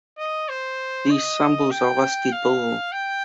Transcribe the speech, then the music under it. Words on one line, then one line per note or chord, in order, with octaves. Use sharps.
These symbols are listed below.
D#5
C5
D#5
G5
F5
G5